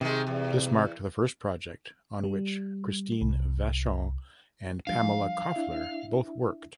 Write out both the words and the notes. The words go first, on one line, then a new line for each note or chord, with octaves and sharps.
This marked the first project on which Christine Vachon and Pamela Koffler both worked.
C3 D#3 G#3
E2
G3
C2
F3 G3 D4 F5
D4 E4 E5